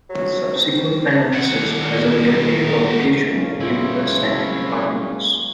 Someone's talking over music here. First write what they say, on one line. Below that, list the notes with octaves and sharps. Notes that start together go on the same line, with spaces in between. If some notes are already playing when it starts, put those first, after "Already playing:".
Subsequent analysis resulted in the publication of numerous scientific articles.
F#3
C4
D#3 F#5
F#3 G#3 A#3 C4 C#4
E4 C5